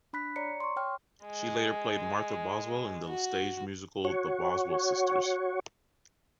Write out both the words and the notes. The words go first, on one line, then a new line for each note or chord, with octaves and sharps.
She later played Martha Boswell in the stage musical "The Boswell Sisters".
D4 B5 F#6 B6
C#5 D5 A#5 C#7
C6 C#6
C#5 G5 F6
G#3
F#4
F#4 C#5